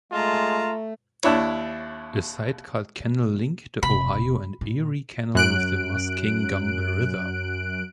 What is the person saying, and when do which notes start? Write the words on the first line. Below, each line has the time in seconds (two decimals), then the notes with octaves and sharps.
A side cut canal linked the Ohio and Erie Canal with the Muskingum River.
0.12 G#3 A3 F4 A5 A#5
1.23 D#2 D4 E4 C#5
3.83 E1 C3 B5
4.61 A#2
5.35 F#2 F#6 D7